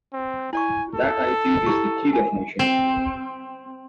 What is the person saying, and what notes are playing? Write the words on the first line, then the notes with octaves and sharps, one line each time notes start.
That, I think, is the key definition.
C4
E4 D5 G#5 C#6
A4
E4 G4 C#6
G#5
C4